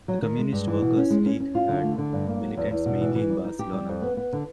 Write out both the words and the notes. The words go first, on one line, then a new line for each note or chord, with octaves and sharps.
The Communist Workers League had militants mainly in Barcelona.
F#3
D#3
G#3
G2
E3
B2
C#4
G#3
C#4
C#4
F4
D3
A3
D3
G2
A#3
F#3
E2
E2
B2
E3
E3
G3
D#4
G4
G3
F2
B3
B3
D3